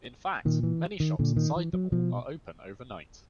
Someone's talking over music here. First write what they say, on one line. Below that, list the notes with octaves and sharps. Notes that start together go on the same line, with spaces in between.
In fact, many shops inside the mall are open overnight.
A#2 D#3
E3
D#3
A#2 D3
D#3
E3
F#3
B2 F3